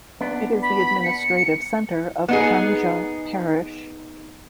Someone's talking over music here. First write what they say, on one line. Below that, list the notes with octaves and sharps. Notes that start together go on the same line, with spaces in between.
It is the administrative centre of Kambja Parish.
B3 D4
B5
C#7
B3 D#4 G#4